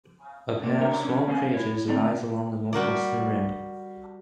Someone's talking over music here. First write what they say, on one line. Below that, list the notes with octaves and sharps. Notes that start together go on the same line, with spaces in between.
A pair of small craters lies along the northwestern rim.
A#2 A#3
C#3 D4 A#4 C#5 A#5
C#4
B3 C#4 C5 F5 G#5
E4 C#5
A2 D3 C4 D5 A#5
G3 F#4 A#4 D5